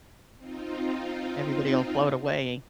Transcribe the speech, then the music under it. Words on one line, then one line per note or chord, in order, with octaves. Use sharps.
Everybody'll float away.
C4 D#4 F4